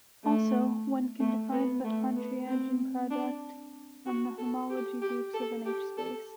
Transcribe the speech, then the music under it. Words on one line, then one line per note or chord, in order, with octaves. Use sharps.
Also, one can define the Pontryagin product on the homology groups of an H-space.
A3
A3
B3
A3
B3
C4
D4
F#4
A4
G4
G4
A4
G4
A4